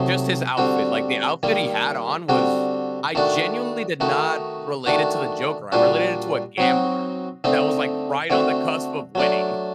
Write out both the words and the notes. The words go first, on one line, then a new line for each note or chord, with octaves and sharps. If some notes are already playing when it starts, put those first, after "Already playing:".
Just his outfit. Like, the outfit he had on was I genuinely did not relate it to the Joker. I related it to a gambler that was, like, right on the cusp of winning.
Already playing: C3 F#3 A3 D#4
D3 G3 C4 F#4
D#3 G3 A#3
D3 G3 C4 F#4
D#3 A3 D4 F#4
D#3 A3 D#4 F#4
D#3 A3 D4 F#4
A#2 G3 D4 F#4
F#3 C4 D#4 F#4
D3 A3 C4 D#4
D3 A3 C4 F#4
F#3 A3 D4